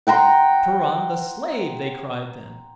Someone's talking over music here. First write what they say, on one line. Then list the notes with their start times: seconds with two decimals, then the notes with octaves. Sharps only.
"Turan the slave," they cried then.
0.07 F#5 G5 A#5 C6